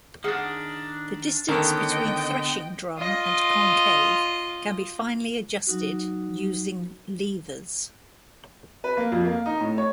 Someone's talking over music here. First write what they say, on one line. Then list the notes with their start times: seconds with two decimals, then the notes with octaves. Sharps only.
The distance between threshing drum and concave can be finely adjusted using levers.
0.24 D#3 D4 G#4 F#5
1.49 D3 D#3 B3 C#4 A4 A#4 D#5 G5
2.98 F4 D#5
5.67 F#3 D#4 F#4
8.84 B4
8.97 A#3
9.12 F2
9.25 A#3
9.46 D#4
9.60 A2
9.78 C#5